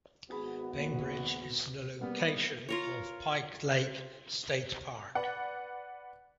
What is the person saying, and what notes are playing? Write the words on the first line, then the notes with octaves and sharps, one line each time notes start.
Bainbridge is the location of Pike Lake State Park.
G#1 B3 F#4 G#4 B5
D#2 A#2
G3 A#3 B3 F#5 F6
F4 A#4 C#5
B4 D5 F#5